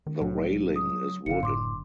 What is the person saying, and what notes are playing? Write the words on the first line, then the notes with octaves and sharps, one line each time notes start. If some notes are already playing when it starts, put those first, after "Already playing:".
The railing is wooden.
D#3
C2 A2 F#3
D#6
F#1 D3 F5 C#7
A2 C6 D6